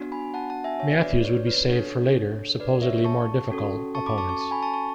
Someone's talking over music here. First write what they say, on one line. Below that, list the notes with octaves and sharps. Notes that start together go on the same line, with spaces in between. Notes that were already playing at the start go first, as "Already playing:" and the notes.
Matthews would be saved for later, supposedly more difficult, opponents.
Already playing: B3 D4 F#4
G#5 B5
F#5 A5
F#5 A5
E5 G#5
C#5 E5
B4 D5
D5
C#5
B4
D4 A4 C#5
B4 D5
C#5 E5
A5 C#6
C#4 F#4 A4
A5 C#6
B5 D6
A5 C#6
A5 C#6
A5 C#6
G#5 B5
A5 C#6
A5 C#6